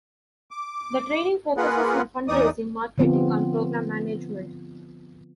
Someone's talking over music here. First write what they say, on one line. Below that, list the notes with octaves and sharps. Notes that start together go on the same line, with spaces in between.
The training focuses on fundraising, marketing, and program management.
D6
A#3 F4 G#4 A#4 B4 F#5
E2 E3 D#4 D5 D#6
D3 F3 B3 C4 F4